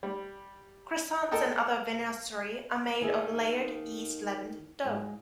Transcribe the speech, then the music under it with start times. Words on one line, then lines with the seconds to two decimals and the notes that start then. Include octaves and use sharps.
Croissants and other viennoiserie are made of a layered yeast-leavened dough.
0.03 G3
1.31 A4 A#4 D#5 G5
3.01 D#2 D#3 A#3 G#4 E5
4.84 G#2